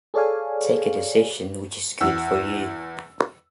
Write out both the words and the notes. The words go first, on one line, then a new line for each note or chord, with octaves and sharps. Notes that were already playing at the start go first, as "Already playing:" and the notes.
Take a decision which is good for you.
G#4 A4 C#5 D5 F5 G#5
E2 E6